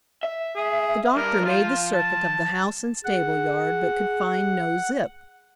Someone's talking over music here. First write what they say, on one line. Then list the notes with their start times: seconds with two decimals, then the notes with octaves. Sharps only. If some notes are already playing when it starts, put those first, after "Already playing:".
The doctor made the circuit of the house and stable yard but could find no Zip.
0.23 E5
0.55 G#4
1.16 G2 A#4
1.45 F3 F4 F5
1.94 A5
3.05 G#4 F#5